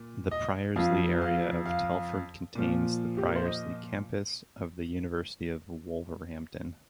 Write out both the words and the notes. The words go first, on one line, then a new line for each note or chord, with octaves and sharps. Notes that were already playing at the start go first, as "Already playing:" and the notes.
The Priorslee area of Telford contains the Priorslee Campus of the University of Wolverhampton.
Already playing: A#2
D#5
F2 F3 F5
F5
F5
A#2 F3
G4
A#4
C5
D#5